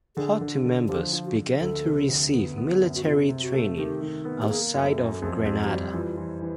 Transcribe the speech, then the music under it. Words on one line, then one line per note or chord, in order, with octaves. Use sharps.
Party members began to receive military training outside of Grenada.
D3 G#4
D3
D3
F3 G4
F3
F#4
F3
D2 A4
C3
D2
B3
B3
F#2
F#4
C3 F4
C3
F#4
A3
D#3 G4
D#3
B3
G4
A#3 G#4
F#2
A4
F#2
A4
F2 G#4
F2 G4
G4
G3 F#4
E3 F4
E3
E3